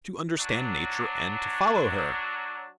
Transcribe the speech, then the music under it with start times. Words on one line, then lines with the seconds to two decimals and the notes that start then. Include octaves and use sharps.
To understand Nature, and to follow her!
0.37 F#3 D4